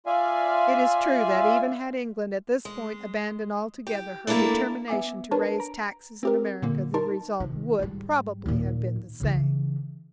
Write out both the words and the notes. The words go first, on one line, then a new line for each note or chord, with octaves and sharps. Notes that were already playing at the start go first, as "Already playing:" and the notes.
It is true that even had England at this point abandoned altogether her determination to raise taxes in America the result would probably have been the same.
F4 D5 E5 F5 G#5
G#3
G4
A3 A#3 D4 E4 A4
B3 E5 G#5 D6
D4 A#4 B4 C#5 A5
A#5 D7
C4 G4 A#4
A#2 D3 A#3
D#4 A#4 A5 C6
C3 D#3
G#2 G3
D#2 A#2
C#3 E3